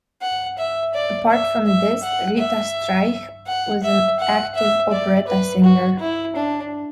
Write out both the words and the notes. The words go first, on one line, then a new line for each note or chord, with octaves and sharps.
Apart from this Rita Streich was an active operetta-singer.
F#5
E5
D5
E5
E5
F#5
E5
F#5
E5
F#5
E5
D5
B4
F#4
E4
D4